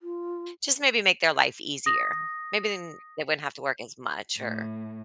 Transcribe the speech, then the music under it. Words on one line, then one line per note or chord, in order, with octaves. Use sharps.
just maybe make their life easier, maybe then they wouldn't have to work as much or
F4
D#6 A#6
A2